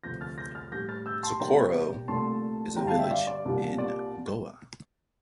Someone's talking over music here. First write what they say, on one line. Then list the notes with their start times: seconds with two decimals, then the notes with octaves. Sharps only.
Soccoro is a village in Goa.
0.03 D2 C3 F3 G6 A#6
0.21 F6 A6
0.38 G6 A#6
0.55 F6 A6
0.72 A2 G3 D4 G6 A#6
0.89 F6 A6
1.06 E6 G6
1.23 A5 C6
1.40 C3 G3 A#3 D4 G5 A#5
2.08 C2 A#2 A3 D4 A5 C6
2.76 G2 D3 G3 D4 G5 A#5
2.87 F5 A5
2.99 E5 G5
3.11 D5 F5
3.27 D5
3.45 C2 A#2 G3 D4
3.78 D5